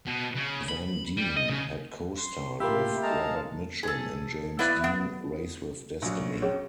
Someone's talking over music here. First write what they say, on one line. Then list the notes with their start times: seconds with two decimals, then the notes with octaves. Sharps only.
Van Dien had co-starred with Robert Mitchum in "James Dean: Race with Destiny".
0.08 B2
0.36 C#3
0.69 B5
1.17 G3
1.37 D#5
1.50 C#3
2.17 C6
2.60 A2 A#3 E4 F4 G4 E5 C6
3.03 G#3 G#4 A4 F5 A5 A#5
3.83 G#4 A4
4.59 B3 E4 B4 D5 E5
4.84 B3
6.02 A#1 F#3
6.42 C#4 G#4 C#5